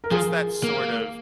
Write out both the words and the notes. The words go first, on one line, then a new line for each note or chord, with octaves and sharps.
just that sort of
A#4
F3 G#4
A#3